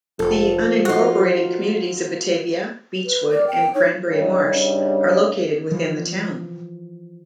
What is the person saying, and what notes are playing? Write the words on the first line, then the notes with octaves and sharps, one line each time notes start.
The unincorporated communities of Batavia, Beechwood, and Cranberry Marsh are located within the town.
F1 F3 A4
D#4 F4 F#4
B4
A#4 D5
G5
D#4 C#5
G2 C#3 G3 D4 D#4 C#5
E3 F3